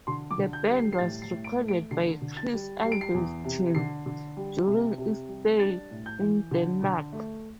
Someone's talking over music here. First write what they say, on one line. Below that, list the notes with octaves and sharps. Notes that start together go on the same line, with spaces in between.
The band was recorded by Chris Albertson during its stay in Denmark.
D3 C6
D6
D3
G6
G3
C7
C7
A2 A6
C7
A2
D7
A3
D7
D3 C7
D3
A6
G3
G3 C7
D7
C7
E2
C3
D3 C7
D3
G3
C3
C3
G3
D4 A6
A2
G6
E3
D3
D3
A3